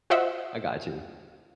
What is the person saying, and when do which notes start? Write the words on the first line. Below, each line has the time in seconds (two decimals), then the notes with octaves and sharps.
I gotchu."
0.10 F4 F#4 C5 D#5 E5 F#5